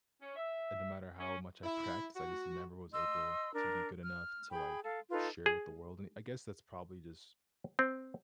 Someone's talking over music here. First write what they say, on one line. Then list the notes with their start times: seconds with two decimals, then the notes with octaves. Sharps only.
no matter how much I practice, I just never was able to be good enough to, like, share with the world and I guess that's probably just
0.20 C#4
0.36 E5
1.18 C#4
1.64 E4
2.15 F#4
2.93 D#5 C6 E6
3.54 D4 A#4
4.03 F6
4.52 G#4 G5 B5
4.84 A4 F5
5.10 D#4 F4 A4 B4
5.46 G#4
7.79 C4